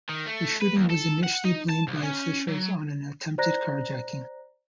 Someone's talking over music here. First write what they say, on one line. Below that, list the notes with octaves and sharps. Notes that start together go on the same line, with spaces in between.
The shooting was initially blamed by officials on an attempted carjacking.
D#3
A3
B4
D#2
A4
F#5
D#4
A5
C2
C#4
F#3
C5 D5 A#5 F#6 A#6